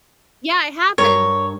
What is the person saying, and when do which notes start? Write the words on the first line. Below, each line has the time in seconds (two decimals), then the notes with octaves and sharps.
Yeah, it happen.
0.98 G2 A#4 C#5